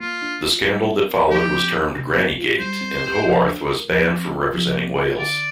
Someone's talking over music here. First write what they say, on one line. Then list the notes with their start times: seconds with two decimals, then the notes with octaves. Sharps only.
The scandal that followed was termed "grannygate" and Howarth was banned from representing Wales.
0.01 A#3 F4
0.22 D4
0.44 F4
0.66 G3
0.87 C4
1.08 A#4
1.30 F3 G4
1.52 C4
1.73 G4
1.95 C3
2.16 A#3
2.38 F4
2.59 G3 C5
2.81 C4
3.03 G4
3.24 F3
3.46 D4
3.67 A#4
3.90 F3
4.11 C4
4.32 F4
4.54 F3
4.76 A#3
4.97 F4
5.19 D3 D5